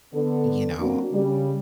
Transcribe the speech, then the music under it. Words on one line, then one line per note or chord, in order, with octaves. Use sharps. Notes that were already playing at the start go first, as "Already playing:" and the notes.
you know,
D3 B3 A4
F#3 A#3 C4 D4 F#4
C#3 G3